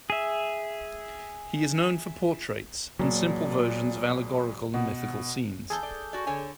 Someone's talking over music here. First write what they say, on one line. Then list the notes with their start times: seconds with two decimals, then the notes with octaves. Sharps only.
He is known for portraits and simple versions of allegorical and mythical scenes.
0.10 G#4 E5
2.99 E1 A#2 F#3 D5
4.74 B2 F#5
5.70 E2 G#4 A4 G6
5.83 D5
6.13 F#4 D5
6.27 D3 C#5 G#5